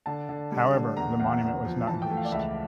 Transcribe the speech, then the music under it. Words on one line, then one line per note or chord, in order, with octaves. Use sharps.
However, the monument was not greased.
D3 A5
D3
G3
D3
E2 A#5
E2
E2
F3
E3 A5
G5
A3
F5
D5
C#2 E5